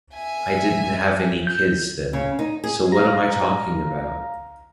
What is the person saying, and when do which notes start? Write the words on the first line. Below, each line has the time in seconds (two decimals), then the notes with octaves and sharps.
I didn't have any kids then ... so what am I talking about?
0.14 E5 G#5
1.47 G6
2.13 C#3
2.39 D#4
2.64 G#4
2.92 F5 A#5